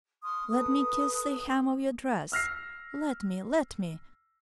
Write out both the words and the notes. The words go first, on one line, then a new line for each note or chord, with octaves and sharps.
Let me kiss the hem of your dress, let me, let me....
C6 C#6 D#6 F6
A4 B4 D#6
E6 F6 A#6 C7